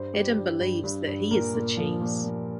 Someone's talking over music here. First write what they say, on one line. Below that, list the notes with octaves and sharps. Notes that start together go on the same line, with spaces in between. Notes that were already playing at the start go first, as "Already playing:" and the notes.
Adam believes that he is the cheese.
Already playing: G2 C5
G3
G2
G2
G2
G2
A#2 A#4
A#2
F3
A#2
A#2